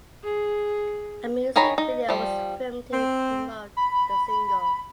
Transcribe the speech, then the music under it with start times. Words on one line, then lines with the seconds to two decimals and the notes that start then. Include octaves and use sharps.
A music video was filmed to promote the single.
0.23 G#4
1.56 D#3 G#4 C#5 A#5 B5
1.78 D#4
2.09 F3 G3
2.93 C4
3.77 B5